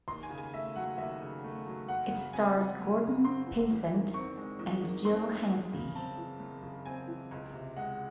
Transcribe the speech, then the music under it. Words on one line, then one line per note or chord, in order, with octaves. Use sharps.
It stars Gordon Pinsent and Jill Hennessy.
D#2 C6
G#5
C#3
G#5
A3 E5
F#3 F#5
D#2 E5
C#3
A3
F#3
F#2 F#5
C#3
C4 G#5
E3
F#2
C#3
C4 C6
E3
E2
D#3
C4 C#6
G#3
E2
D#3
C4 C6
G#3
F#2
C#3
C4 A5
E3
F#2
C#3
C4 G#5
E3
C#2
C3
G#3 F#5